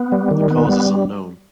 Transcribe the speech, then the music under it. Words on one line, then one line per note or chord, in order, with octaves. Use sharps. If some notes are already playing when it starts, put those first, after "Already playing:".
The cause is unknown.
Already playing: B3
G3
D#3
B3
G3